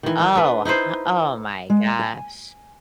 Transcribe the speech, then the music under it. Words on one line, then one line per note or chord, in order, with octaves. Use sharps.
Oh, h oh my gosh!
D#3 E3
D#4
D4 B4
D#4 E4 B4 C5
G#3
G#5